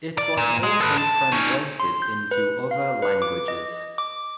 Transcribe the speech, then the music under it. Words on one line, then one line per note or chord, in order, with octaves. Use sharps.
It was also translated into other languages.
D5
A#2
G#3
A4 B4
A5
C#4 D#4
C6
G6
B4
F5
B4
D6
D#5
D6